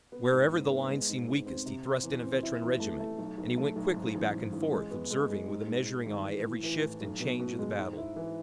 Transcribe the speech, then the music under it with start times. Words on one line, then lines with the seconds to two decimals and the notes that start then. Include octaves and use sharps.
Wherever the line seemed weakest he thrust in a veteran regiment, and he went quickly back and forth, observing with a measuring eye every shift and change of the battle.
0.12 B3
0.32 G#2
0.52 G#2
0.71 B3
0.89 G#3
1.09 G#2
1.28 G#2
1.46 C4
1.66 C3
1.85 C4
2.03 E2
2.23 C4
2.43 E4
2.61 E2
2.80 A3
3.00 A3
3.19 B1
3.38 B1
3.58 A3
3.76 B1
3.96 G#2
4.15 A1
4.34 G#2
4.53 A1
4.72 G#3
4.91 B3
5.10 G#3
5.30 G#3
5.48 G#2
5.68 G#2
5.86 G#2
6.06 G#1
6.25 E3
6.45 A2
6.64 E3
6.83 A2
7.01 B1
7.20 B2
7.40 B2
7.59 G#3
7.79 G#2
7.98 E4
8.16 E3